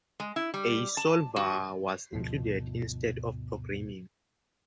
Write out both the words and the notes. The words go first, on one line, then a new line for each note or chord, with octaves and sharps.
A solver was included instead of programming.
G#3
E4
G3
A5
F#4
G1 D2 B2 F3